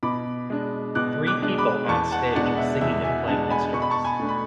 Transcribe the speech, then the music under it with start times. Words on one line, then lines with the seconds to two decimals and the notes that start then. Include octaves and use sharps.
Three people on stage singing and playing instruments.
0.03 B2 B5 D6
0.50 G#3 D4
0.95 B2 D6 F#6
1.27 D6 F#6
1.42 G#3 D4
1.58 B5 D6
1.89 E2 A5 C#6
2.12 F#5 A5
2.34 B2 G#3 D4 D5 F#5
2.58 E5
2.81 E2 E5
3.04 E5 G#5
3.27 B2 G#3 D4 F#5 A5
3.50 G#5 B5
3.74 B2 C#6
3.82 B5
3.90 A5 C#6
4.04 G#5 B5
4.20 A3 D4
4.29 B5